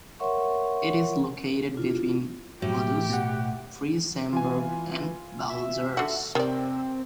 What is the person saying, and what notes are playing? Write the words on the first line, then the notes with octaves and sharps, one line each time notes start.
It is located between Vaduz, Triesenberg and Balzers.
A#4 C#5 E5 F#5 C6 C#6
D4 E4 F4
A2 F#3 G4
B2 F#5
E3 F4 G#5
E5
D3 F#4
C3 D#3 C4 D5